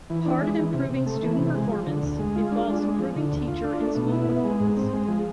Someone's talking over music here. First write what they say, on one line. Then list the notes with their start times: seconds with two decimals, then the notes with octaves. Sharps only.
Part of improving student performance involves improving teacher and school performance.
0.10 E3
0.26 D4
0.42 G#3
0.58 E3
0.74 C3
0.90 C3
1.06 A3
1.23 E3
1.39 C3
1.54 G#3
1.70 F3
1.87 D3
2.03 D2
2.19 G#3
2.36 F4
2.52 D4
2.68 G#3
2.83 G#3
2.99 F3
3.16 D3
3.32 D2
3.48 F4
3.64 D4
3.80 A3
3.96 B2
4.12 E4
4.29 B3
4.44 G#3
4.60 G#2
4.77 C4
4.93 G#3
5.08 F3